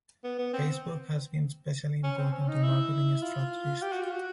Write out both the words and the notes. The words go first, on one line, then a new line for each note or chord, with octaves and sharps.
Facebook has been especially important to marketing strategists.
B3
B3
C4
C#4
C4
C#4
D#4
E4
F4
G4
F#4
F4
F#4